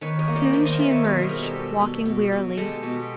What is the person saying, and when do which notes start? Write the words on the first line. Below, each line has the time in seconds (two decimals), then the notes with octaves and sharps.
Soon she emerged, walking wearily.
0.01 D#3 B4 C#5
0.19 C#5 D#5
0.28 A#3
0.36 C5 D5
0.53 D#3 C5 D5
0.65 D#5 F5
0.79 D#3 D5 E5
0.91 C#5 D#5
1.04 B2 B4 C#5
1.17 A#4 C5
1.29 G3 G#4 A#4
1.42 G4 A4
1.55 B2
1.81 B2
2.06 B2
2.32 B2
2.57 G#3 G4 A4
2.83 B2